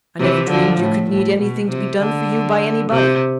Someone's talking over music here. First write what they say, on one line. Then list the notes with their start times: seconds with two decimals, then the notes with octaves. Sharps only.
I never dreamed you could need anything to be done for you by anybody.
0.19 C3 E3
0.49 D3 F3
0.79 A2
1.10 A2
1.40 B2
1.69 C3
2.00 D3
2.91 C3